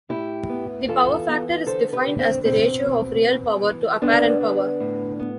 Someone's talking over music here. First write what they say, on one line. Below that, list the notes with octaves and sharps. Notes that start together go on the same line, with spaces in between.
The power factor is defined as the ratio of real power to apparent power.
A2 E4 G4
B3
E3 F4 A4
B3
D3 A4 C5
G4 B4
D3
C4
B2 C4
B2
B3
E3
D3 B3 D4
D3
A2
B3